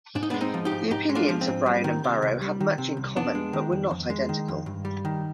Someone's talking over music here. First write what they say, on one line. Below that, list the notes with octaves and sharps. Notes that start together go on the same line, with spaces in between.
The opinions of Browne and Barrowe had much in common, but were not identical.
G#2 D4
D#4
B3 D4
G#3
C4 D#4
F3
D#4 G4
G#2
G#2 D#4 G4
G#3
D4 F4
F3
C4
G#2
G3
D#3
C3
C2
G3
D#3
C3
C2
F2 B3 D4
G#3
D#3
F2
F2
G#3
D#3
F2
G2
G3
D#3